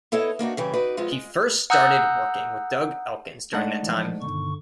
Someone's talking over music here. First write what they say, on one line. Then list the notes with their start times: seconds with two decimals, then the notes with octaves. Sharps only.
He first started working with Doug Elkins during that time.
0.12 B3 E4 A4 C#5 D#5
0.39 A#3 D4 D#4 F#4
0.57 C#3 E3 G3
0.73 D#4 F#4 B4 D5
0.97 F3 G#3 B3 C4 F4
1.11 G#3
1.70 F#5 A#5 D#6 E6 F#6 G6
3.53 G#3 A3 D4 D#4 F#5
3.83 E3 F3
4.21 G2 B2 D3 D#3 C#6